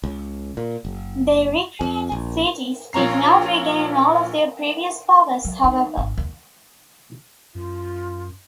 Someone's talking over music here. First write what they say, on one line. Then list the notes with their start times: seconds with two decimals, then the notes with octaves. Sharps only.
The recreated cities did not regain all of their previous powers, however.
0.04 C#2
0.57 A#2
0.85 F#1
1.81 F2
2.12 A#1
2.93 A#1 A#2 C#5 A#5 C7
5.45 F#3
5.64 D#4
5.97 G#1
6.18 D#2
7.55 F#2 F4